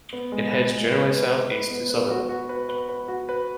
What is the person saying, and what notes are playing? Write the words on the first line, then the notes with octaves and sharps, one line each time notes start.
It heads generally south-east to Sutherland.
B3
G#3
B4
G#3
B4
B4
B4
B4
B3
B4
F#4
F#4
B4
B4
B4
F#4
B4